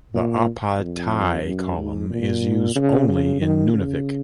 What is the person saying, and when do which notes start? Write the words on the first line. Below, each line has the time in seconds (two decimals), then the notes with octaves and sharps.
The "ai-pai-tai" column is used only in Nunavik.
0.14 A#2
0.79 F2
1.45 F#2
1.78 G#2
2.10 A#2
2.76 C#3
3.08 C#3
3.41 D#3
3.73 C#3